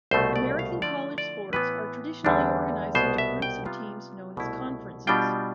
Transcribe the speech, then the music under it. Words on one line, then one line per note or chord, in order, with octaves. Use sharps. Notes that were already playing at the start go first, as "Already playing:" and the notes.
American college sports are traditionally organized into groups of teams known as conferences.
C2 B2 A3 C5
D5
F5
D3 F3 A3 E4 D5
D5
A2 E3 B3 E4 B4
E2 D3 G3 D4
C2 B2 B3 C5
E5
G5
C3 G3 B3 F4
C2 B2 A3 E4
B2 G3 D4 F4 G5